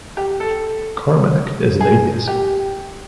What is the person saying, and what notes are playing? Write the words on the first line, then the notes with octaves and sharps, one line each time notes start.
Carmack is an atheist.
G4
A4
G#4
G4